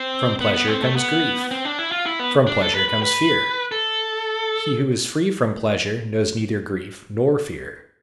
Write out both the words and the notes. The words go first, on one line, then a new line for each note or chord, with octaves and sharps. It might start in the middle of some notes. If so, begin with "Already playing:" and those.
From pleasure comes grief, from pleasure comes fear; he who is free from pleasure knows neither grief nor fear.
Already playing: C4
B3
B3
C4
A3
B3
C4
D4
E4
F4
E4
B3
D4
A4
B4
B4
B4
A4